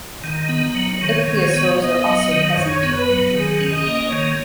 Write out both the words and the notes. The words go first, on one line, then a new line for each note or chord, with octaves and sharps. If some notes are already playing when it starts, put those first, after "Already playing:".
Ichthyosaurs are also present.
D#3 D#4
B3
F#3
D#3 C#5
D#3
B3
B3 D#5
F#3
D#3
F#2 C#5
B3
B4
F#3
D#3 G#4
C#4
D#5
A#3
D#3 C#5